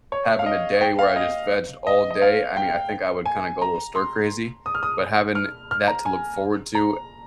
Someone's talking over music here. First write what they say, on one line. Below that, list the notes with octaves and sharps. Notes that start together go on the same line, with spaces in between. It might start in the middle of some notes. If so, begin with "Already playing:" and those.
having a day where I just vegged all day, I mean, I think I would kinda go a little stir crazy, but having that to look forward to,
C#5
F5
D#5
G5
F5
D#5
D#5
D#5
F5
G5
G#5
A#5
C6
D#6
F6
D#6
F6
F6
A#5
G#5
A#5